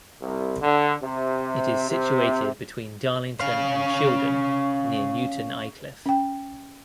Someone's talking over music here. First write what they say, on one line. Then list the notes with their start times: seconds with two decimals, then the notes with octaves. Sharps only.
It is situated between Darlington and Shildon, near Newton Aycliffe.
0.22 C2
0.62 D3
1.02 C3
1.88 C3
3.41 C#4 F5
6.06 C#4 G5